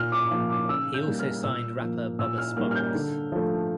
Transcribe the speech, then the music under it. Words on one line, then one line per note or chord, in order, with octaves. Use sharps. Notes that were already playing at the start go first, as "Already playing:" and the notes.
He also signed rapper Bubba Sparxxx.
Already playing: A#2 F6
D6
F3 A#3
D6
C#3 E6
G6
G3 A#3
F6
A#2 E6
F3 A#3
A#2 E6
F6
G3 A#3 F6
F6
G6
D3
F3 A3